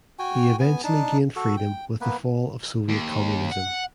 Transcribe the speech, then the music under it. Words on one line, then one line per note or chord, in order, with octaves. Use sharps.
He eventually gained freedom with the fall of Soviet Communism.
F#4 G5 G#5
B3 G#5
D4 D#4 A5
F#4 A4
G5
A#3 B3 B4
D#2
F#5